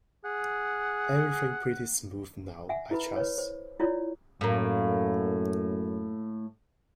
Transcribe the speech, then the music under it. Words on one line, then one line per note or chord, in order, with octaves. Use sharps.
Everything pretty smooth now, I trust?
G#4 F#5
E5 F#5 G#5
E4 B4 B5
B4 C#5
C5
E4 F4 C#5 D5
F#2 A2 A#3